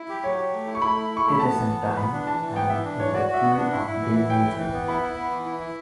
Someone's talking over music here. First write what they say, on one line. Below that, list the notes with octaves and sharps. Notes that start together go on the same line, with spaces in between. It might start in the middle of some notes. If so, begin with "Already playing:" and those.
It is in time and in the key of D major.
Already playing: E4
G4
F#3 C#5
G4
A3
E4
C#6
A3 B5
E4
E4
C#6
A3 B5
B3 A5
E3
B3
E3
B3 B5
D4
E3 A5
E3
B3 G5
E3 E5
D4
E3 C#5
F#4 D5
F#4
E5
B3
F#5
D4
E4
E4
E3
E4
E3 G5
E3
E3
B3
E4 B5
E4
B3
E3
E4
E4